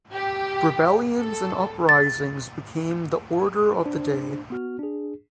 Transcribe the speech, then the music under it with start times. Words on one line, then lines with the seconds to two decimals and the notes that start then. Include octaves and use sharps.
Rebellions and uprisings became the order of the day.
0.13 G4
1.18 A4
1.89 A6
3.85 D4 C5
4.50 B3 F#4 F6
4.79 D4 G#4